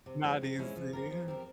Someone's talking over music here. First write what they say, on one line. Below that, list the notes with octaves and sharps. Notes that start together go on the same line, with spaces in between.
not easy.
C3
F3 G#3 C#4 E4
C3
F3 G#3 C#4 E4
F3
C4 G4 A#4
F3
C4 G4 A#4